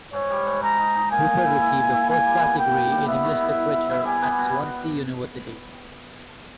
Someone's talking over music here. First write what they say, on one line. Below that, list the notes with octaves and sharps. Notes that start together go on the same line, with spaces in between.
Hooper received a first class degree in English Literature at Swansea University.
G#2 C#5
G3
G#2
G#2 A#5
D#4
D#4
A#3 G#5
A#2
E4
E4
A#2
E4
A#2 G#5
G3
B3
A#2 G5
A#2
G3
B3 E5
D#3
E4
E4
E4
E4
G3 G#5
B3
B2